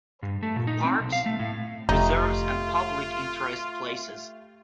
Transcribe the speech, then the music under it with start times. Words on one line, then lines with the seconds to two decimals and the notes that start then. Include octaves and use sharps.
Parks, Reserves and public interest places.
0.23 G2
0.43 A3
0.56 A#2
0.67 D#4
0.84 C4
1.00 B1
1.12 F5
1.26 A3
1.40 A2
1.89 F1 A3 D#4 F4 G4